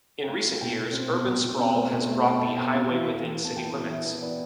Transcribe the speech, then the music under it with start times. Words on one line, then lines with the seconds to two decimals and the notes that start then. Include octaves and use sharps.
In recent years, urban sprawl has brought the highway within city limits.
0.24 G5
0.28 A3 F5
0.44 A3
0.61 B2 G5
0.77 B2
0.93 C4
1.10 B2
1.26 B2
1.43 B2
1.59 C4
1.75 A3
1.92 B2
2.09 A3
2.24 B2 G5
2.41 A3 A5
2.57 B2 G5
2.74 C4 F5
2.90 E3 E5
3.08 E3
3.17 F5
3.23 E3 G5
3.40 B3 A5
3.57 E3 G5
3.73 E3
3.90 E3 E5
4.05 B3
4.22 B3 D5